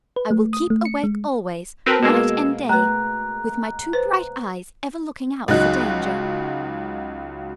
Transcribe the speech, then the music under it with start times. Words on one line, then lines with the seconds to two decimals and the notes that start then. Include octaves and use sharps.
I will keep awake always, night and day, with my two bright eyes ever looking out for danger.
0.16 B4
0.31 A3
0.53 D#6
0.70 A3
0.85 C#7
1.04 G#3
1.86 C4 F#4 A#4 B4 G5 A5
2.03 B2 G#3 A#3 E6 G#6 E7
2.69 A3 B4 A#5 F#6
3.93 B4 C5
5.48 C#2 F#3 D#4 F#6